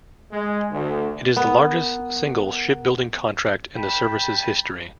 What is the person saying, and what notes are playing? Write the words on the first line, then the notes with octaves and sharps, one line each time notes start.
It is the largest single shipbuilding contract in the service's history.
G#3
D2
B3 A#4 F#5
G5 A5 B5